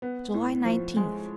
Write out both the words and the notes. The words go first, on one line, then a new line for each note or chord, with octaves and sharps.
July Nineteenth.
B3
A2
F3
G#3